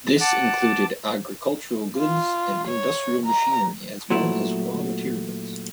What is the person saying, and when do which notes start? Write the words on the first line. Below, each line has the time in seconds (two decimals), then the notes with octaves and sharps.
This included agricultural goods and industrial machinery as well as raw materials.
0.20 F#5 A5 D6
1.99 F4
2.67 C#5
3.26 A#5
4.10 A#2 F#3 A3 E4